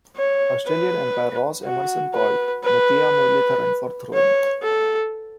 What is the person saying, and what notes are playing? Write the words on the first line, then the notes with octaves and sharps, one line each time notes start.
Australian Umpire Ross Emerson called Muttiah Muralitharan for throwing.
C#5
B4
F#4
B4
B4
C#5
A4